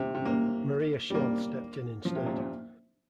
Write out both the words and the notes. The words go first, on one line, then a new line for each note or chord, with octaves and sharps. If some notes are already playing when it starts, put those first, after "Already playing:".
Maria Schell stepped in instead.
Already playing: C3
C3
A#3
G3
A#3
F3
C3
A#2
A#2